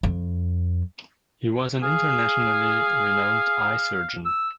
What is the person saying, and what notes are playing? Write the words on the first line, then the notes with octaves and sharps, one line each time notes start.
He was an internationally renowned eye surgeon.
F2
G#4 F5
E6